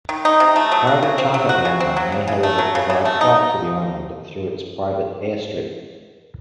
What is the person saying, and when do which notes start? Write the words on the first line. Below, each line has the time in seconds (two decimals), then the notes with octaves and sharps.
Private charter airline may however provide flight to the island through its private airstrip.
0.09 D#3
0.25 D#4
0.40 C3
0.56 A3
0.71 F#3
0.87 F#4
1.03 C#3
1.18 C4
1.34 F#3
1.49 F#4
1.65 C#3
1.80 C4
1.96 F#3
2.12 C#3
2.28 C#3
2.43 A3
2.58 F#3
2.75 C#3
2.90 C#3
3.05 A3
3.21 D#4